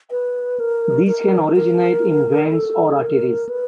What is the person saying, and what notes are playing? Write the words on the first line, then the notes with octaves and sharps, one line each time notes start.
These can originate in veins or arteries.
B4
A#4
A#4
A#4
A4
A#4
B4